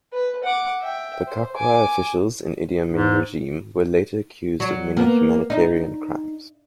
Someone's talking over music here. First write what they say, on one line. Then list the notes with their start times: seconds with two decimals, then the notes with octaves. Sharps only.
The Kakwa officials in Idi Amin regime were later accused of many humanitarian crimes.
0.13 B4
0.44 F#5 D6
0.81 E5 G5
1.27 C5
1.56 G#5 D6
2.93 G#2
4.60 F#3
4.97 A#3 B3
5.50 D#4